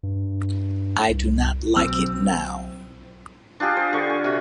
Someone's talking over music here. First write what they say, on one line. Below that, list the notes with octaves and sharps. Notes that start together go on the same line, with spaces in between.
I do not like it now.
G2
C2
B1 F#3 C4 E6
D4 F4 G4 G#4
C5
D3 C#6
G#5
C3 F#4